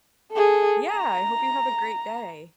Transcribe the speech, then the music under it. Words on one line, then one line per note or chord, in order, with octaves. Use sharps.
Yeah, I hope you have a great day.
G#4 A4
A#5